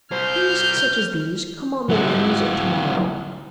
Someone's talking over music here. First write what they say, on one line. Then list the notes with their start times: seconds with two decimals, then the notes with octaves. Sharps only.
Things such as these come on the winds of to-morrow.
0.12 C2 C5 F6 G6
1.89 F#3 E4